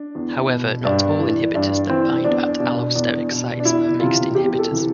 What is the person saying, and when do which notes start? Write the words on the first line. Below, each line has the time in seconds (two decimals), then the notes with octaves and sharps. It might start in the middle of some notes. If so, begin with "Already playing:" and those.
However, not all inhibitors that bind at allosteric sites are mixed inhibitors.
Already playing: D4
0.15 E2
0.50 B2
0.85 G2 D4
1.19 E3
1.55 G2 D4
1.89 E3 C4
2.24 E2 D4
2.60 B2 D4
2.95 E2 D4
3.31 B2
3.60 D4
3.65 E2 E4
4.00 C3 E3 F4
4.35 E2 G4
4.59 A4
4.71 C3 E3